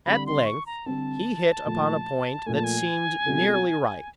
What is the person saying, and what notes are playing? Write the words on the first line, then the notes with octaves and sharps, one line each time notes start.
At length he hit upon a point that seemed nearly right.
D3 G3 C4 B5
C6
C#6
A#5
D3 G3 C4 A5
A#2 F3 A3
A#2 F3 A3 G#5
A5
G#5
B2 G3 C4 F4 A4